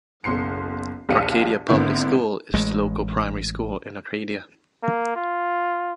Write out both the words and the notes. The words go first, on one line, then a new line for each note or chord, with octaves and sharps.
Arcadia Public School is the local primary school in Arcadia.
F#1 B1 C6 C7 C#7
A#1 D#2 G4 F5 C#7 D#7
G#1 D3 A#3 B3 E4 G6
A1 G#3 A3
A#3
F4